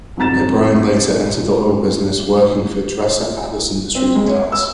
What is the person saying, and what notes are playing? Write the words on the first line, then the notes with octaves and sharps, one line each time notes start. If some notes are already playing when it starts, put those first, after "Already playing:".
O'Brien later entered the oil business, working for Dresser Atlas Industries of Dallas.
F2 G#2 F#4 A#5 A6 E7
C4
G#3
C#5
E6